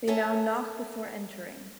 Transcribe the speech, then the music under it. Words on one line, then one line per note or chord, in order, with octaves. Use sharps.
They now knock before entering.
A4 A#4 C#5 E5 G#5 A5